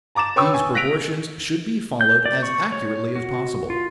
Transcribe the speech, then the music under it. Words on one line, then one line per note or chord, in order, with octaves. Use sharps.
These proportions should be followed as accurately as possible.
A5 A#5 D6 A6 E7
B4 C#5 G5 C#6 D#6 E6
G#5
F#6 A#6 B6 D7 F7
G6
D5
C#6
C#5
F#4
F4